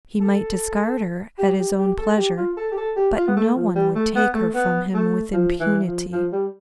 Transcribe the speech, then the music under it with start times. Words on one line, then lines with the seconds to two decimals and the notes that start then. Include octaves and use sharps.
He might discard her at his own pleasure, but no one would take her from him with impunity.
0.20 A4
1.38 G4
1.58 G4
1.78 G4
1.98 A4
2.17 G4
2.37 F4
2.57 A4
2.72 G4
2.77 A4
2.96 G4
3.16 F4
3.27 B3
3.36 A3
3.56 F3
3.75 G3
3.95 A3
4.15 B3
4.34 A3
4.54 B3
4.94 A3
5.33 F3
5.60 E3
5.86 F3
6.12 F3
6.32 G3